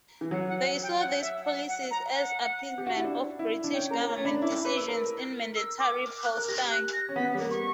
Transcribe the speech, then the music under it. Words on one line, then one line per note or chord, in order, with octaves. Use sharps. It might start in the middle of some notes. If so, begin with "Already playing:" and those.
They saw these policies as appeasement of British Government decisions in Mandatory Palestine.
E3
F#3 F#5
F#5
F#5
G5
F#5
E5
F#5
F#5
A#5
F#5
G4
F#4
E4
D4
E4
D4
C#4 G5
A#3 A#5
C#4 A#5
C#4
D4 B5
E4 D6
B4
E6
A#4
E6
D6
F#6
A#4
G4 A#6
F#6
A#6
C#4
B3 B6
G3
A#3
C#6